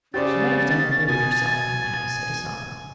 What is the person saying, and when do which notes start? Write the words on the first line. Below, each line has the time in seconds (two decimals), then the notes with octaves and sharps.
"She might have done better with herself than that," said Asano.
0.14 C#3 G4 C5 D5 A6
1.08 B2 G#5